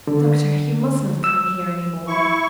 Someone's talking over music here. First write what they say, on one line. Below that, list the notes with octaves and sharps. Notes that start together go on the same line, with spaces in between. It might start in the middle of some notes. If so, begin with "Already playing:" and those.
Doctor, you must not come here any more.
D3
E6
E4 C#6